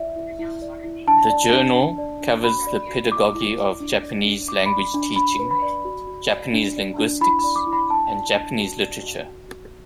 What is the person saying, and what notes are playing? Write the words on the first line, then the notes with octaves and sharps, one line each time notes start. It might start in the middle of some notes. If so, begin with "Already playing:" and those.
The journal covers the pedagogy of Japanese language teaching, Japanese linguistics, and Japanese literature.
Already playing: E4 D5 E5
E4
E4
D5
E4
D4 A5
D5
D4
D4
D5
D4
F#4 B5
D5
F#4
E4 D6
E4
D5
D4
D5
D4
D4 D6
D5 B5
D4
D4 B5
B4
B5
D5
F#4
F#4
D5
D4
D5
D4
E4 B5
D5 B5
D6
E4
B5
D4 A5
D5
D4
F#4
D5
F#4
F#4
F#4